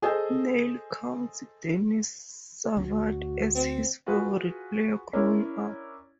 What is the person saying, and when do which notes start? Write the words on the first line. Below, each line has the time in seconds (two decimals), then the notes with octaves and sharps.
Neil counts Denis Savard as his favourite player growing up.
0.02 G#4 A4 C5 D#5
2.77 D2 D4 F#4
3.55 C4
4.06 F4 F#4 G#4 B4
5.13 C#4 D4 E4 A#4